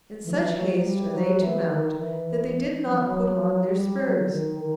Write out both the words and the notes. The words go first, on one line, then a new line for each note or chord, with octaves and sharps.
In such haste are they to mount that they did not put on their spurs.
E3
F#3
E3
F#3
G3
F#3
E3
D#3
E3
F#3
E3
F#3
G3
F#3
D#3
D#3